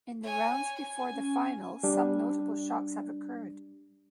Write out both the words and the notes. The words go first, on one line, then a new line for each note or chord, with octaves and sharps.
In the rounds before the final some notable shocks have occurred.
C#5 G#5
G#5
C#4
G3 D4